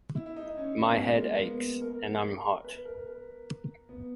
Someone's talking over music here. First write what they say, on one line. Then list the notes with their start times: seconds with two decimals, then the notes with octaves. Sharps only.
My head aches, and I'm hot.
0.15 E4
0.26 E4
0.36 D#4
0.57 C#4
0.78 B3
0.98 G#3
1.19 A#3
1.40 B3
1.81 A#4
2.64 B4
2.85 A#4
3.06 A#4
3.89 B3